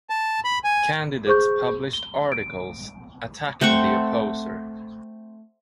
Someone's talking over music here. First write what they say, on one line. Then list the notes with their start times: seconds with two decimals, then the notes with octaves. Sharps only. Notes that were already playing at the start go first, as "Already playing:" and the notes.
Candidates published articles attacking the opposer.
0.10 A5
0.44 B5
0.64 G#5
1.27 G#4 C5 C#6 G6
1.93 G7
2.32 D7
3.61 A3 C4 F#5 C#6